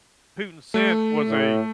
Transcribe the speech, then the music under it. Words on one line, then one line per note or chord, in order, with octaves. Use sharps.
Putin sent was a
A3
A2